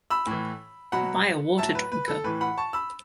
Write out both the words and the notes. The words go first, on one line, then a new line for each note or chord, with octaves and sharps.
By a water-drinker.
B5 E6
A2 E3
B2 F#3 F#5 B5
A2 F#3 E5 A5
B4
B4
A4
A2 E3 B4
F#5 B5
A5 C#6
B5 E6